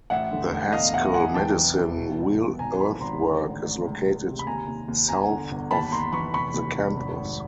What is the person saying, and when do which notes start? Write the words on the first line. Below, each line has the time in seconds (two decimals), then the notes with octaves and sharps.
The Haskell Medicine Wheel Earthwork is located south of the campus.
0.10 A1 E5 F#5
0.32 D3
0.52 A1
0.62 F#5
0.72 E1 D#5 F5
0.93 E1 E5 F#5
1.14 E1 F#5 G#5
1.34 E3 G5 A5
1.56 E3
1.76 E3
1.98 B2
2.18 C2
2.39 B2
2.59 G#1 G#5 A#5
2.80 F3 A5 B5
3.01 G#1 A#5 C6
3.22 D3
3.43 A1
3.63 A1
3.85 C#2
4.05 C#2
4.27 C3
4.39 B5
4.47 D#2 G#5 A#5
4.68 D#2
4.88 D#2
5.08 G1 G#5 A#5
5.29 D3
5.51 G1
5.71 D#2 A5 B5
5.92 D#2 A#5 C6
6.13 E3 B5 C#6
6.33 F1 B5 C#6
6.54 D#2
6.75 F1
6.96 G#1
7.17 G#1